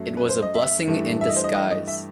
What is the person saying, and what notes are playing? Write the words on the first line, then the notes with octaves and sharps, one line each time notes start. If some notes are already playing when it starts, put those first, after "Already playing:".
It was a blessing in disguise.
Already playing: F#2 F#3 A3
B4
C5
D#5
E5
G2 E3 A3
E5
D#5
C5
D#5
D#5
D#5
E5